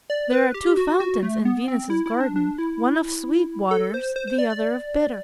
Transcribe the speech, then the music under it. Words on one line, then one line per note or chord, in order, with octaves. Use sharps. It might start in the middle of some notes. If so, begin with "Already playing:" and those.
There are two fountains in Venus's garden, one of sweet waters, the other of bitter.
D5
B4
G4
F#4
F#4
A3
B3
C4
E4
E4
D4
D4
E4
A4
C5
C5
C5
D5
D5